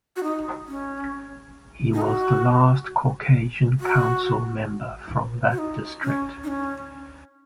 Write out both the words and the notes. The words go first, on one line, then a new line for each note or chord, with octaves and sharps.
He was the last Caucasian council member from that district.
F#4
D#4
C#4
D#4
F#4
F#4
F#4
D#4
C#4
D#4
C#4